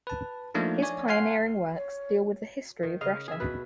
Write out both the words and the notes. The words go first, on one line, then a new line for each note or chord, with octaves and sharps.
His pioneering works deal with the history of Russia.
B4 A5
F3 A3 A#3 D4 D#4
C#5 D5 G#5
F5 F#5 G#5 C6 F6 C7
C#5
D#3
C#3 D#5 F5
G#4 E5
B2 B4